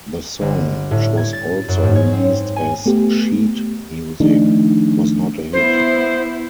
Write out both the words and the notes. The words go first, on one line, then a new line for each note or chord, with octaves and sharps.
The song, which was also released as sheet music, was not a hit.
G1
A2
G#6
A6
F#2
G#2
C#5
C4
G#5
A3 B3 G4
D#3 F3 A3 D4 D#4
B3 E4 C5